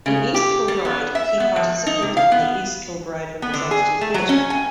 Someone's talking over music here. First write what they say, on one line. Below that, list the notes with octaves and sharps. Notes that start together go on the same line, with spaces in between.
In East Kilbride, he participated in the East Kilbride Representative Theatre Club.
C#3
G4
G3
B3
E5
B3
F3
D#4
C3
F5
B3
B3
D3
G#4
A3
F#3
C#4
G#5